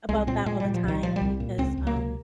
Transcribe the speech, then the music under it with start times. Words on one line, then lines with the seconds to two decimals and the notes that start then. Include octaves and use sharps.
about that all the time because, um,
0.09 C2 G#3
0.27 A#2 C4
0.46 A#2 G#3
0.60 A#2 G3
0.74 F3
0.84 C2 D#3
1.03 A#2 F3
1.16 G3
1.21 C2
1.40 A#2
1.58 C#2 C4
1.78 C#2
1.87 A#3
1.96 C3